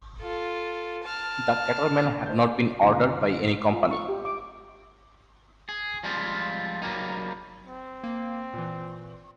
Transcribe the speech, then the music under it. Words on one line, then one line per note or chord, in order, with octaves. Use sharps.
The catamaran had not been ordered by any company.
F4 A4
A5 F6
C5 D#5 A5 G6
F#1 D#2 D3 F4 G#5 A#6
F4
C#6
G4
D6
G#4
F3 G3 G#3 C4 F4
F#3 G3 A#3 D#4
C4
A#3
A#2 E3